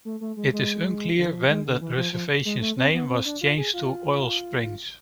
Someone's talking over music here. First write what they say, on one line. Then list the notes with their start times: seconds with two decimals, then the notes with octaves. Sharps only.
It is unclear when the reservation's name was changed to Oil Springs.
0.05 A3
0.21 A3
0.37 G#3
0.53 G#3
1.18 D3
1.26 E3
1.33 F3
1.49 G#3
1.65 D3
1.81 E3
1.97 F3
2.13 F3
2.45 G#3
2.61 A3
2.77 C4
2.94 B3
3.09 C4
3.25 D4
3.41 F4
3.57 G#4
3.74 F4